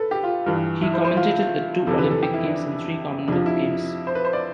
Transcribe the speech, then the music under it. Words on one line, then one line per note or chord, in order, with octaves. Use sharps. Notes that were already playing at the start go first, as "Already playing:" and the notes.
He commentated at two Olympic Games and three Commonwealth Games.
Already playing: A4 B4
G4
F4
G2 E3
E4
C5
C5
F4
F2 C3 E3 A4
B4
A4
G4
E4
D4
F2 C3 F3 D4
E4
C5
B4
C5
D5